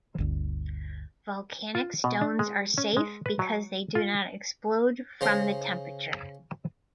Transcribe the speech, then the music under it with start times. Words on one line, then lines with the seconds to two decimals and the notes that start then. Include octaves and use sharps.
Volcanic stones are safe because they do not explode from the temperature.
0.18 G1 D2
1.75 F4
2.04 B2
2.21 D4
2.39 G#3
2.78 C#4
2.97 G#3
3.26 B4
3.39 F#3
3.95 F4
5.21 C#3 C5 A#5 C6